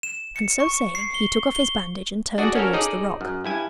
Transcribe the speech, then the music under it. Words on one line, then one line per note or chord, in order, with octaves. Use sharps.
And so saying he took off his bandage and turned towards the rock.
E7
C#7
C#6
C7
G7
G7
D4 F#4 G#4 D5
C#4 F#4 A4 A#4
D#4 G#4 A4 D5
F#2
G2 E4 G#5